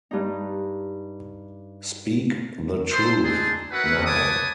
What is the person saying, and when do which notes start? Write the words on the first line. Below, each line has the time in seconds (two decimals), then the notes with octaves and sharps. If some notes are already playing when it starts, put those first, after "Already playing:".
Speak the truth, now.
0.11 G2 D#4
2.91 A4 C5 C6
3.23 C4 D4 D#4 G#4 A5 C6
3.72 C#4 F#4 A#4 B4 E5 F#5
4.06 B4 C#5 G#5 A5 D6 D#6